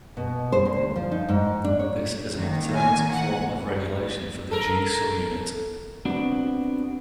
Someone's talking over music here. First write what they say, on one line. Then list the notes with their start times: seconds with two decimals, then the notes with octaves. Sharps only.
This is an alternate form of regulation for the G subunit.
0.17 B2
0.52 C5
0.65 D2
0.96 F3
1.12 D#4
1.29 G#2
1.64 D4
1.79 C#5
2.35 D#3 A#3
2.73 G#5
3.12 F#5
4.51 A4 A#4
6.05 B3 C4 D4 F#4